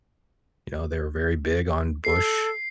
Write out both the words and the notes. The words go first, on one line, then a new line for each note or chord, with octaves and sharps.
you know, they were very big on Bush.
A4 C7